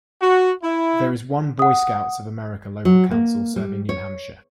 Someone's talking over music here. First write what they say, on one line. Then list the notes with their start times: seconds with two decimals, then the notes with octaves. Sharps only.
There is one Boy Scouts of America local council serving New Hampshire.
0.21 F#4
0.63 E4
1.59 F#5 D#6
2.85 F#3
3.11 A#3
3.56 G3
3.89 C#5